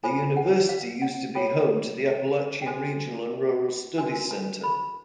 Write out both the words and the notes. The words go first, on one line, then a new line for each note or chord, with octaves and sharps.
The university used to be home to the Appalachian Regional and Rural Studies Center.
F4 A4 C5 G#5
F#5
F5
F#5
F4 A4 C#5 G5
G5
F#4 A4 C5 G#5
D4 F#4 A#4 G#5
A5
B5